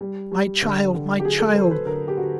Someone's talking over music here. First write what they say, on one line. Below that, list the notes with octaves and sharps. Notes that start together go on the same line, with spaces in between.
'My child, my child!
G3
G3
D3
D3
G4
F#3 G#4
A4
F#3 C5
B4
D3 A#4
G4
D3 F#4